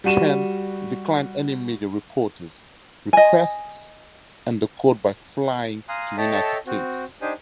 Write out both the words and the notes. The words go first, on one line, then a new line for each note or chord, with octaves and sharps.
Chen declined any media reporters' requests and the court by flying to United States.
G3 F#4 D#7 E7
D#5 G#5
F5 G#5 A#5 C6 D#6 F#6
A4 C#5 D#5 E5 G5 A5
C4 F#4
D4 D#4 G4 C5 G#5